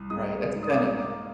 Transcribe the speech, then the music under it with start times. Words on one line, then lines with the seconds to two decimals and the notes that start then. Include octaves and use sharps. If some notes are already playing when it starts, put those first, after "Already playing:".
right, that's kinda
Already playing: C2
0.10 G#3 D#6
0.54 G#2
0.63 D#6
0.70 D6
0.78 D#6
0.99 A#3 D6